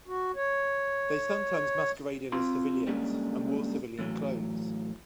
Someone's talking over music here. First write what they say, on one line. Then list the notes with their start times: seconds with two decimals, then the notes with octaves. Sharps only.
They sometimes masqueraded as civilians and wore civilian clothes.
0.08 F#4
0.36 C#5
2.32 C4 F4 C6
2.87 D3 G3 G#3 A#3 C#4
3.99 A2 E3 F#3